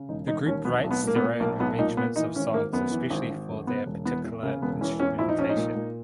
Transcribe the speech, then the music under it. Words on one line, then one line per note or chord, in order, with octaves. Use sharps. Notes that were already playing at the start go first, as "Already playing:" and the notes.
The group writes their own arrangements of songs especially for their particular instrumentation.
Already playing: C#3
E1 D#4
E1 D#4
D#2 C#4
B1 B3
B1
B3
A#2 A#3
B3
A#2
B1 A#3
B1 B3
A#2 D#4
A#2 B3
E3 D#4
G#1 C#4
G#1 A#3
F#2 B3
E3
G#1
G#1
F#2
C#3 B3
E1
E3 B3
E2
C#3 A#3
E1 B3
E3 C#4
E2 C#4
A#1 E4
D#4
A#1 C#4
D#4
A#2
A#2